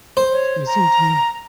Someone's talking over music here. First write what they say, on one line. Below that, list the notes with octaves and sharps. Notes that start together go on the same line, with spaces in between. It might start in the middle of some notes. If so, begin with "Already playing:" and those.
Listen to me!
C5
C#5
A#5